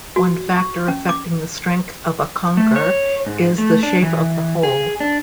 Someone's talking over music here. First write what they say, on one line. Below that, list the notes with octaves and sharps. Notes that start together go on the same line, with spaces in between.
One factor affecting the strength of a conker is the shape of the hole.
F#4
C#6
C#4
D6
A3
C#5
G#2
A3
D4
E3
G#4
D4